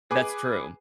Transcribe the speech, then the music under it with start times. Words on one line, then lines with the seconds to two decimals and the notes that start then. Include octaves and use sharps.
That's true.
0.11 G#4 B4 G#5 D6